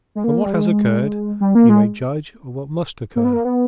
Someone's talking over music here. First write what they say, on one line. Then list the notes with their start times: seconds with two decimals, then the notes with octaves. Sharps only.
From what has occurred, you may judge of what must occur.
0.15 G#3
0.24 A#3
0.44 G3
0.53 G#3
1.40 G3
1.55 A#3
1.69 G#3
3.16 A#3
3.25 B3
3.33 A#3
3.45 B3